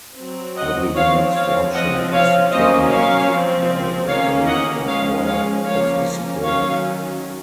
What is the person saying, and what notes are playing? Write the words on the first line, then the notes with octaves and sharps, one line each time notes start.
Every man's fortune is determined by the day or hour of his birth.
F#3 C4
D#5 F#5
F3 C4 C#5 F5
C#5 F5
F3 C4 D#5 F#5
C#5 F5
F#3 A#3 C#4 C5 D#5
C#5 F5
F3 C4
D#3 A#3 C#4 C#5 F5
D#5 F#5
F3 G#3 C#4 C#5 F5
C#5 F5
F3 A#3 C#4 C#5 F5
D#3 F#3 C#4 C#5 F5